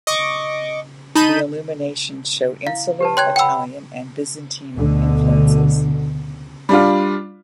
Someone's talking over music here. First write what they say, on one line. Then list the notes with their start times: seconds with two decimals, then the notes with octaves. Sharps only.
The illuminations show Insular, Italian and Byzantine influences.
0.07 D#5 C#6 D6
1.15 D#4 A5 B5 G6 D#7
2.67 E4 F5
3.00 G4 B4 A5
3.17 C#5 G5 C6 F#6 G#6
3.36 F#5 G5 B5 E6
4.75 D2 B2 D3
6.69 G3 D4 F4